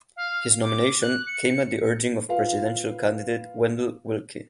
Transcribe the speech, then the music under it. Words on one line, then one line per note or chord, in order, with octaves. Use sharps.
His nomination came at the urging of presidential candidate Wendell Willkie.
F5
D6
F#6
C#7
F4 B4 F5